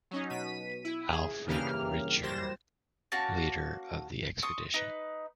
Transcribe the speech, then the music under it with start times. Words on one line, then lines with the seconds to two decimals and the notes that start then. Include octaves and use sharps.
Alfred Ritscher, leader of the expedition.
0.11 F#3 C#4 D#4
0.30 B2 B6 D#7
0.85 E4
1.12 G#4
1.47 G2 C#3 E3 A#3 G4 F6
2.22 F#2 G3 C5 A#6 E7
3.12 A#3 C#4 F#4 A5
4.42 C6 C#6 D#6
4.74 D#4 B4